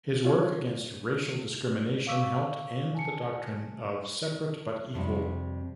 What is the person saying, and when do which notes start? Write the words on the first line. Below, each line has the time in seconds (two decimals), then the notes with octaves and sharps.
His work against racial discrimination helped end the doctrine of separate but equal.
0.25 F4 C#5
2.07 F5 C#6 D6 E6 B6
2.95 G#5 A5 C#7
4.94 F2 C3 G3 F#4